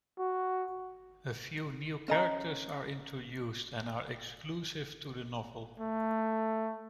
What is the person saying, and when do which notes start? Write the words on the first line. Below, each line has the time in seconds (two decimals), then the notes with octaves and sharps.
A few new characters are introduced and are exclusive to the novel.
0.18 F#4
2.08 C#4 D#5 A#5
5.80 A3